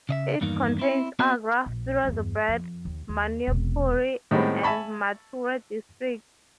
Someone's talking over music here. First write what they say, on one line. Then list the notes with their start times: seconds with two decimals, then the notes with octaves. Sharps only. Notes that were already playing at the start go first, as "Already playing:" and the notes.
It contains Agra, Firozabad, Mainpuri and Mathura districts.
0.09 C#3 D#5 E5
0.41 E2 G2 D#3 A#3 D#4
0.79 C4 E4
1.19 B3 C4 F#4 C5 D#5
1.66 A#1
2.03 E2 G2
2.48 F2
2.85 D#2
3.09 D#2
3.47 E1 C3
4.31 A2 D#3 G3 G#3 B3 C4
4.63 E5 G#5 A5 B5 C#6